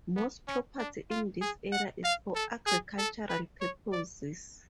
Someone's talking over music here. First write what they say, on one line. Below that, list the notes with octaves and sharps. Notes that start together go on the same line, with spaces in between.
Most property in this area is for agricultural purposes.
B3
C#4
D4
F4
G#4
F#5
F5
A4
G#4
A4
B4
C#5
D5